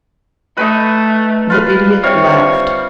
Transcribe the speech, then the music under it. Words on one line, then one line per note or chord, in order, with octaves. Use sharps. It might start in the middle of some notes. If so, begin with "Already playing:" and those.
The Idiot laughed.
A3 D#4 B4
F4 B4 F5
C3 G3 C#5 F5